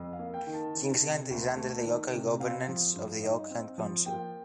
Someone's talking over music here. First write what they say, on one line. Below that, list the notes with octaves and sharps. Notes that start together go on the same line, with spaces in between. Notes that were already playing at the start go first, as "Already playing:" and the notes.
Kingsland is under the local governance of the Auckland Council.
Already playing: F2
F5
A#3
G5
D#3
A5
D#3
C3
D2
A3
D#3
C3
C4 F5
F3
G2
D#4
C4
F3
A#3 G5